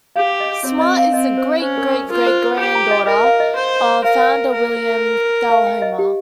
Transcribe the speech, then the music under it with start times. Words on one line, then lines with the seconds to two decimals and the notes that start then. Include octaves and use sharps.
Smartt is the great-great-great-granddaughter of founder William Thalhimer.
0.16 G4 F5
0.40 D#5
0.65 C4 C#5
0.81 D#5
0.97 F5
1.14 C4 D#5
1.38 C5
1.62 C#4 C5
1.78 A#4
1.94 A#4
2.10 F4 A#4
2.26 C5
2.42 A#4
2.59 G4 G5
2.75 A#5
2.91 D#5
3.07 A#4 D#5
3.24 F5
3.40 D#5
3.56 C5
4.04 A#4 F5
4.18 F5
4.28 G5
4.53 A#4
5.50 F5
5.67 G5
5.82 D#5
5.99 G4